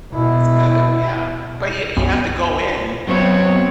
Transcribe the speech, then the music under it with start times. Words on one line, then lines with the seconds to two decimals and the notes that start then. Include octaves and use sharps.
that's good, yeah. But you you have to go in
0.12 B2 E4
1.97 B1 F#2
3.07 F#2 F#3 B3 C4 C5 C#5